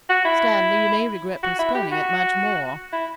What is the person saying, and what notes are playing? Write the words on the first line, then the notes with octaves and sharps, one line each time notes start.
'Stanley, you may regret postponing it, much more.'
F#4
E4
F#4
E4
G4
F#4
E4